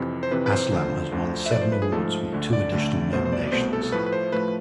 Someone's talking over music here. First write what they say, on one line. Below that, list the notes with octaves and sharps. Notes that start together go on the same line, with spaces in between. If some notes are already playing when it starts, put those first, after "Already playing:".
Aslam has won seven awards with two additional nominations.
Already playing: F2 C3 E3
C5
F2 C3 E3 B4
B4
C5
D2 D3 F3
D2 D3 F3
E5
G#2 F3 A3 D5
C5
B4
G#4
G#2 F3 A3 A4
D2 D3 A3
D5
D2 D3 A3
C2 B2 A3 C5
C5
D5
D5
C2 B2 A3 C5
A4
A4
A2 F3 A3 B4
B4
C5
A2 F3 A3 B4